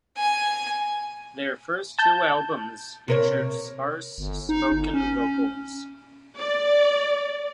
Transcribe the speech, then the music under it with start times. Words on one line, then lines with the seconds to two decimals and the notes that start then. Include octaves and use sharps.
Their first two albums featured sparse, spoken vocals.
0.17 G#5
1.98 A5 G6
3.08 C3 A#4 C#5
4.18 G1
4.49 D#4
4.72 G1
4.93 C#4
6.37 D5